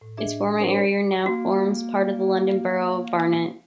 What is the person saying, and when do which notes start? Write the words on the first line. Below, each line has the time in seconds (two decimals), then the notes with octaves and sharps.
Its former area now forms part of the London Borough of Barnet.
0.01 A2
0.17 D4 G#4 D#5 E5
0.59 C4 D4 F#4 A#4 C5 C#5
1.26 A#3 F#4